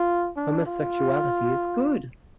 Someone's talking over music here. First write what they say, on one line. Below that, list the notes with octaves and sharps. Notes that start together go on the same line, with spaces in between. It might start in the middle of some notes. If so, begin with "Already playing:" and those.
Homosexuality is good!
Already playing: F4
D4
F4